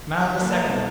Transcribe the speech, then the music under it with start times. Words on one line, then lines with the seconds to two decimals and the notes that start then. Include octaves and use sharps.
Man the second.
0.17 D#4 G4
0.37 G2 A#3 A4 F5 F#5
0.51 B4 E5 A5 A#5
0.65 C2 D4 D#4 F4 A4 D#5